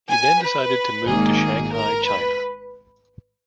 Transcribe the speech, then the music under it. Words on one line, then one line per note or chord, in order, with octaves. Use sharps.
He then decided to move to Shanghai, China.
G#5
B4
G#1 G#2 D#3 A#3 G#4
A#4
B4